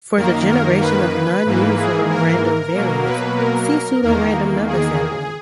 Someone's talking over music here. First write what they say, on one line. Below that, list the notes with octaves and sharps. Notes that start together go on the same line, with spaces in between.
For the generation of non-uniform random variates, see Pseudo-random number sampling.
F#2 D#3 A#3 A#4
A#4
B4
G#2 E3 A#3
G#4
A#4
B2 F#3 A#3
B4
A#4
E2 D#3 A#3 A#4
G#4